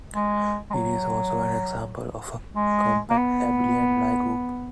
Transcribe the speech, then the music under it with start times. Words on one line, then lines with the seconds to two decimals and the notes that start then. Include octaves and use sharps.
It is also an example of a compact abelian Lie group.
0.14 G#3
0.70 G#3
0.74 F#3
2.56 G#3
3.10 A#3
3.17 B3